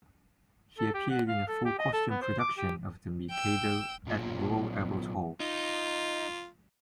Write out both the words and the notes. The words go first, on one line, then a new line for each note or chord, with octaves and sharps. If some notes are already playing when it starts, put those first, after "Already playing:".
He appeared in a full costume production of "The Mikado" at Royal Albert Hall.
A4
G4
F#5
F5
A4
G4
D#5
A4
B3
C5
D6
G4
G5 E6
B1 A#2
D#4 F4